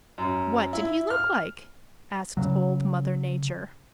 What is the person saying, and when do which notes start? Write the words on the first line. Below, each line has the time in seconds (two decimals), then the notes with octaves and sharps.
"What did he look like?" asked Old Mother Nature.
0.18 F#2
0.73 E4
1.10 F6
2.37 C#3 F#3